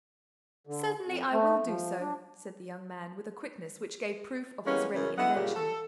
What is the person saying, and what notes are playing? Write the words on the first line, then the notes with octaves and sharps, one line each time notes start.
"Certainly, I will do so," said the young man, with a quickness which gave proof of his ready invention.
D3
F2
A3
F3
D4
E3 G3 G#3 A#3 B3 C#4
F#2 C#3 E3 C#4
D3 B3 E4 D#5 F#5
A#2 C#3 G3
A4